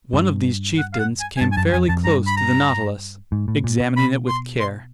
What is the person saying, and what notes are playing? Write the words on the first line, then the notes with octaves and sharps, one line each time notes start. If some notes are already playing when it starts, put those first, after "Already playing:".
One of these chieftains came fairly close to the Nautilus, examining it with care.
G2
F#5
F5
F#5
G#5
G#5
G2 A5
G#5
F#2 A5
F2 G#5
F2 A5
G2 A#5
B5
A#5
G#2
A2
A#2
B2
B5
C6
C6